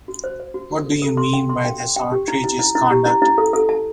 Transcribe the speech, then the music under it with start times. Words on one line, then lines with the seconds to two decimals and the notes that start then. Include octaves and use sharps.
What do you mean by this outrageous conduct.
0.08 F#4
0.24 C5
0.40 C5
0.54 F#4
0.71 F#4
0.86 A4
1.02 A4
1.17 C6
1.33 G5
1.49 C6
1.65 G5
1.80 G5
1.96 G5
2.12 G4
2.28 E4
2.44 E4
2.59 E4
2.75 E4
2.91 G4
3.06 E4
3.22 E4
3.38 A4
3.53 A4
3.69 A5